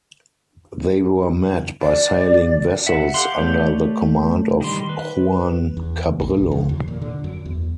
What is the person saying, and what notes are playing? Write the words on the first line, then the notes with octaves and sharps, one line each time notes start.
They were met by sailing vessels under the command of Juan Cabrillo.
D5
E5 F#5
G4 A4 F5 F#5 C6
A3 G4 C#5 D5 G6
D#3 G3 C6
B4
E2
A#1
A#1
F2
D#2
A#2
D3
F#2
E2